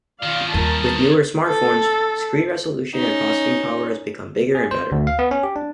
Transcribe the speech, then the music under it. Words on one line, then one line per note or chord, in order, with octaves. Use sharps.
With newer smartphones, screen resolution and processing power has become bigger and better.
D#3 C#4 F4 D5 F5
D#2 G3 A#4 A5
A4
C#4 D#4
G#4
C5
D2
F5
B3
C#4
G4
D4